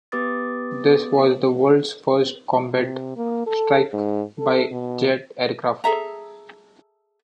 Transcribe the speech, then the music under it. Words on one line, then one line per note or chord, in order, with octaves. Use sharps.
This was the world's first combat strike by jet aircraft.
B3 G4 B4 D6 D#6 A6
C3
A#3
A4
G#2
A4
B2
G#4 A4 E5 A#5